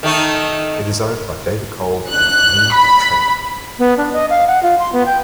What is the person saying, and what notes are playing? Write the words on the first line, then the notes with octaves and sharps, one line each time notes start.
It is owned by David Cole and Moon Trent.
D#3 A3 D#4
F#6
B5
B3
D4
D#5
F5
F#5
F4
C6
B3
G5